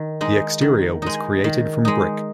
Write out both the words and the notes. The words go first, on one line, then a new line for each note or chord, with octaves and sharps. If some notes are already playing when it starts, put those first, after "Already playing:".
The exterior was created from brick.
Already playing: D#3
G#3 D#4
D#3
G#3 D#4
D#3
G#3 D#4